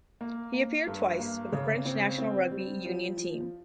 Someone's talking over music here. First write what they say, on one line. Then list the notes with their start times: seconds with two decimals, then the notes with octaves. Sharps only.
He appeared twice for the French national rugby union team.
0.21 A#3
0.54 A#3
0.87 G2
1.19 A#3
1.53 C#3
1.85 C4
2.18 C4
2.51 G3
2.85 F3
3.17 F3